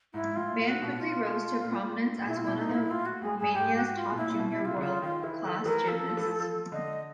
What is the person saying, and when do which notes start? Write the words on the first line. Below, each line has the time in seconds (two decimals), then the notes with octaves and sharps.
Ban quickly rose to prominence as one of Romania's top junior world-class gymnasts.
0.14 G#2 E4
0.36 A2 F4
0.52 A#2
0.61 A2
0.67 A#2 F#4
0.82 B2
0.98 F4
1.63 A#2
2.18 A#2
2.27 B2 E4
2.37 F4
2.43 E4
2.48 B2
2.58 D#4
2.69 A#2 E4
2.91 A2 F4
3.05 F#4
3.22 A2 G#4
3.38 G2 G#4
3.54 G#2 G4
3.75 F#4
3.96 F4
4.12 B2
4.17 A#2 E4
4.28 A#2 E4
4.39 B2
4.50 E4
4.60 C3 F4
4.76 D3
4.81 C#3 F4
5.02 D#3 F4
5.23 E3 E4
5.45 D#3 A4
5.65 E3 A#4
5.88 F3 A4
6.09 F3
6.17 E3
6.26 F3
6.40 F3
6.72 D3 D#5